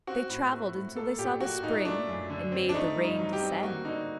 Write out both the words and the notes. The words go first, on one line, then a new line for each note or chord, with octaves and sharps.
They travelled until they saw the spring and made the rain descend.
C4 F#4
A2
A3
A2
A#3 A4
A#2 G4
F#3 F#4
A#2 D#4
A3 D4
F#2
D3
C4
D4
A3 D#4
G2
D#4
F#3
G4
C4
A#3 F#4
D3 D#4